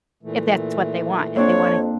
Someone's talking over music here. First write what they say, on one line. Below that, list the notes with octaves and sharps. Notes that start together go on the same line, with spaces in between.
if that's what they want. If they wanna
A#2 E3 A3
F2 A#3 C4 D4 C#5